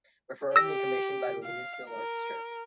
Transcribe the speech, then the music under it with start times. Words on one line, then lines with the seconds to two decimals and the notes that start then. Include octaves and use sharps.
Performed and commissioned by The Louisville Orchestra.
0.56 G4 E6 A#6
1.43 F5
1.90 A#4